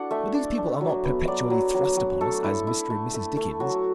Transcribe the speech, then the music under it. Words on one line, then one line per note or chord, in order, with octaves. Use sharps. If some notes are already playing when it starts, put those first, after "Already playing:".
But these people are not perpetually thrust upon us as Mr. and Mrs. Dickens.
Already playing: D4 E4 F#4 A4 D5 F#5
A3 E5
D4 D5
D4
F#3
B3
F#3 D5
F#3
F#3
F#3
A3 A4
E4
E4
A3
A3
A3
F#3 F#4